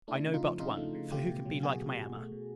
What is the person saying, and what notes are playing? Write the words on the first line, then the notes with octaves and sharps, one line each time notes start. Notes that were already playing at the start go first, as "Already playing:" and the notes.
I know but one; for, who can be like my Emma?
A3 D4 E4
C#3
D#4 F4
F3
C#3 D#4 F4
A3
C#3
A3 F4 G4
B2
F#3
B2 F#4 G#4
A3
B2
A3
B2